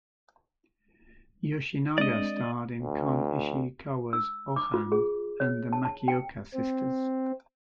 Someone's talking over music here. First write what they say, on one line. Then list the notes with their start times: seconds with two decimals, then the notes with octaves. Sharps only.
Yoshinaga starred in Kon Ichikawa's "Ohan" and "The Makioka Sisters".
1.98 G#3 C4 D4 D5 D#5
2.80 D2
4.13 E6
4.56 D6
4.74 F4
4.92 G#4
5.40 C#5
5.73 A5
5.85 A5
6.08 G5
6.54 C4